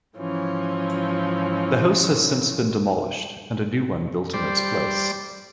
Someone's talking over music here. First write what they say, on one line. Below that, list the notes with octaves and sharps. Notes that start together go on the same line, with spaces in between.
The house has since been demolished, and a new one built in its place.
G#2 E3 F3 C#4
G3 C5 D5